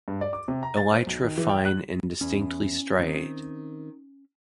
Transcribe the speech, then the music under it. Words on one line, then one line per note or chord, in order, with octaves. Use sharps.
Elytra fine and distinctly striate.
G2
D5
D6
C3
A#5
A6
C5
B1
D#3
E3
G5
F#6
E2 C#4
D#3 C4